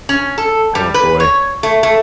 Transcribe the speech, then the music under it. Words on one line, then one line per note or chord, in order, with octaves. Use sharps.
Oh, boy.
C#4
A4
G3
B4
C#5
A3
A3